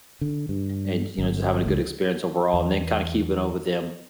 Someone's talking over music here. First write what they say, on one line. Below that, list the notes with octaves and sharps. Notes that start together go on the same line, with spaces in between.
and, you know, just having a good experience overall, and then kinda keeping up with them,
D3
G2
G1
C#2
E2